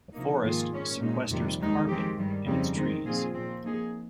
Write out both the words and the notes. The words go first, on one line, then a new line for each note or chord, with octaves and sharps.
A forest sequesters carbon in its trees.
C3 F3 A#3 D#4
G#2 D#3 A#3 F4 G#4
A#2 G#3 C#4
A#2 G#3 D#4
F2 C3 D#3 G3
D#2 D#3 G#3 D#4
D#3 G#3 C4 G4
G2 D#3 G3
F2 C#3 G3 C4 D#4
D#3 G#3 C4 D#4
A#2 F3 C4 F4 G#4
A#2 F3 C4
F3 A#3 D#4 G#4